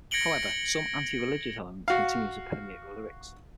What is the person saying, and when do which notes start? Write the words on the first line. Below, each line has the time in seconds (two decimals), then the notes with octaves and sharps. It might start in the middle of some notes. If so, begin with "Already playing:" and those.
However, some anti-religious elements continue to permeate the lyrics.
0.11 G#6 A#6 C#7 D7 F#7 G7
1.88 F#4 F5